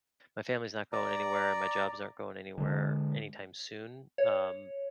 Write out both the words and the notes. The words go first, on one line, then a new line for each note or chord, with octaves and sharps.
my family's not going anywhere, my jobs aren't going anywhere anytime soon, um,
D5 A#5
D3 G#3
C#5